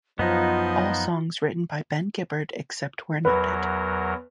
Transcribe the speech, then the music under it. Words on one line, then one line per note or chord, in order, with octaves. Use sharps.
All songs written by Ben Gibbard except where noted.
F#2 F3 B3 D#4 F4 D#5
E2 F#3 A#4 B4